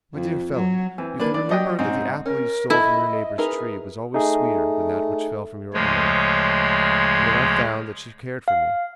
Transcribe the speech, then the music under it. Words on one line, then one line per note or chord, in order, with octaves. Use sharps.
"My dear fellow, you can remember that the apple you stole from your neighbour's tree was always sweeter than that which fell from your own. And then I found that she cared for me."
F2
F#3
E3 C4
A#3 D4 B4 D5
D4 D5 D6
F#3 D5 D#5 G5
G#2 C4 C#4 D#4
C#4 A#4
E4 A4 D#5
D#4 G#4 A#4 B4
A3 D#4 G#4
D2 C#3 F3 G#3 C#5
F5